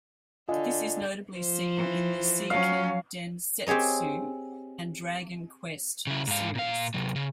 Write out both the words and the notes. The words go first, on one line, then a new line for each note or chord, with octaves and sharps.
This is notably seen in the "Seiken Densetsu" and "Dragon Quest" series.
D3 F4 D#5 G#5
F3 C5
E3
F#3 C#4 F5
C4 G4 G#4 C#5 D#5
C#3 E4
G#2 F5
A#2 F5
C3 F#3
C#3